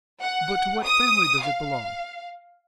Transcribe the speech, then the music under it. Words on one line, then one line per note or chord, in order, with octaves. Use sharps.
"But to what family does it belong?"
F#5
D#6
F5